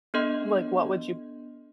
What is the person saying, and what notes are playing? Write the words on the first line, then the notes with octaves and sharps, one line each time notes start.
Like, what would you
B3 D4 A4 D#5 C6